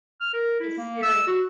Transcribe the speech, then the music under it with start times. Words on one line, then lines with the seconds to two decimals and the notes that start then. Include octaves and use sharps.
is serious
0.21 F6
0.34 A#4
0.60 E4
0.77 A#3
1.03 E6
1.27 F#4